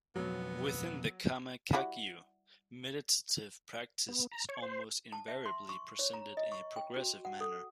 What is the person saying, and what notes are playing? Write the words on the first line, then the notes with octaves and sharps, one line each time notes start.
Within the Karma Kagyu, meditative practice is almost invariably presented in a progressive manner.
F2 B2 F#3 B3
G3 E4 F#4
B3
A#5
C#5
C5
A5
E5
C6
C#6
C#5
A#5
D#5
C#6
G5
F#4
F#5
A4